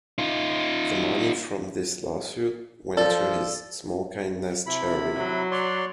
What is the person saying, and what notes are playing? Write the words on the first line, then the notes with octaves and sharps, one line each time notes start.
The money from this lawsuit went to his "Small Kindness" Charity.
D#4 F4
F3 A4 D5
C3 E4 B5
F#3
C#5 D5 C6